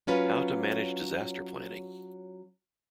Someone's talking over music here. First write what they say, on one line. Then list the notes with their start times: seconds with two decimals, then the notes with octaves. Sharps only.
How to manage disaster planning?
0.07 F#3 C#4 F4 B4